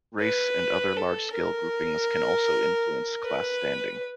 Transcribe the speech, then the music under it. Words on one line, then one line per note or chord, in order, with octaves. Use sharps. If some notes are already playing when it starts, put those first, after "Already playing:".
Race and other large-scale groupings can also influence class standing.
B4
A4
A#4
B4